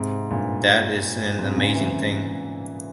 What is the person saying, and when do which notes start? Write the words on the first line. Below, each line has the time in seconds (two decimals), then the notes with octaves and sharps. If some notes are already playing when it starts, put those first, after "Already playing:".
That is an amazing thing.
Already playing: G#2 C3
0.30 G2 A#2
1.39 G#2 C3
1.57 A#2 C#3
1.75 C3 E3